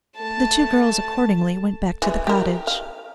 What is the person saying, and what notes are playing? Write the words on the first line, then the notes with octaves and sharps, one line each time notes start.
The two girls accordingly went back to the cottage.
A3 A5
E3 G#3
G4 A#4
F5